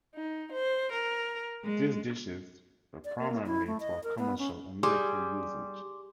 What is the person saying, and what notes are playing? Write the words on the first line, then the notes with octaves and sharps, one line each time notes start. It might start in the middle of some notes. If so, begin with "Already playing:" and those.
These dishes were primarily for commercial and military usage.
D#4
C5
A#4
G#3
D5
A#3
E4
A3
D#5
A#4
B3
C#4
G3 G#4 C6 D6